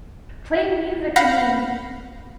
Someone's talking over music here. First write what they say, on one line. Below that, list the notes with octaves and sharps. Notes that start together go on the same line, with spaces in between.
playing music, I mean,
F5 F#5 B5 G6 A#6